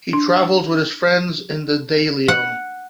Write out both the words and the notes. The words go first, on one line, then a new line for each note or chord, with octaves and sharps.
He travels with his friends in the Daileon.
D4
F#5